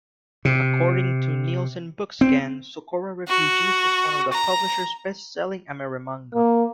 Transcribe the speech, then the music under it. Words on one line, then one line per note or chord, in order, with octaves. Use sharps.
According to Nielsen BookScan, "Sokora Refugees" is one of the publisher's best-selling amerimanga.
C3
C4
F#4
A#5
A#3